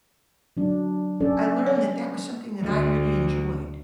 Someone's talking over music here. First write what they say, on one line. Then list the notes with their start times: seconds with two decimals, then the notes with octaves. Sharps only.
I learned that that was something that I really enjoyed.
0.57 F#3 D4
1.20 C#4 A4 D5
1.66 C#5
2.62 D2